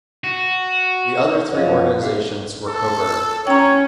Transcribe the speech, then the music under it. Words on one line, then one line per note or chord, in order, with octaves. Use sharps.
The other three organisations were covert.
F#4
F#2 F3 B4 C#5 D#5 F#5
G4 E5 F5
A4
C#4 C#5 G5 A#5